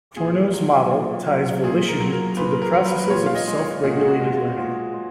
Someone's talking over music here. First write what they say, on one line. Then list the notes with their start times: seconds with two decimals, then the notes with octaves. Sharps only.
Corno's model ties volition to the processes of self-regulated learning.
0.16 A#2 G#4
0.54 F#3
0.91 A#2
1.27 F#3
1.64 A#2 G#4
1.88 A#4
2.00 F#3
2.13 A#4
2.37 A#2 B4
2.62 A#4
2.73 F#3
2.86 B4
3.04 B4
3.10 A#2 C#5
3.26 F5
3.35 D#5
3.47 G#3
3.59 C#5
3.83 A#2 G#4
3.91 F#4
4.00 G#4
4.08 F#4
4.20 G#3
4.32 F4
4.57 A#2 F#4
4.94 G#3